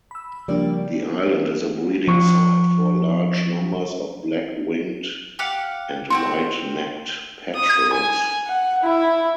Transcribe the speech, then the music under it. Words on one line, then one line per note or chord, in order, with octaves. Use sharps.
The island is a breeding site for large numbers of black-winged and white-necked petrels.
B5 E6
C#3 F3 G3 A#3 D4 D5
F3 C#6
G4 F5 F#5
C4 E4 F#4 C6
D#6
G#5
F#5
E4